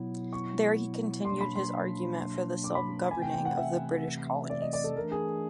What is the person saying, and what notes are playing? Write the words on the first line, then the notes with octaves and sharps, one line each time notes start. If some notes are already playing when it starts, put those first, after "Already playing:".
There he continued his argument for the self-governing of the British colonies.
Already playing: B2 F#3 B3 E4
C#6
B2 F#3 A#3 D4 C6
B5
C6
D6
B5
C3 E3 A3 C4 G#5
G5
G5
F#5
E5
D5
D#5
D5
A4
E3 A3 D4 A#4
G#4